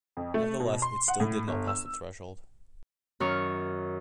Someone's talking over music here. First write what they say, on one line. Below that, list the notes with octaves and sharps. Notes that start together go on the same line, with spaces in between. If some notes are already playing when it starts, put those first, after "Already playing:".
Nevertheless, it still did not pass the threshold.
F2
A3
B2
C6
F#5
A2
G1
E6
F#2 D#3 C#6 F6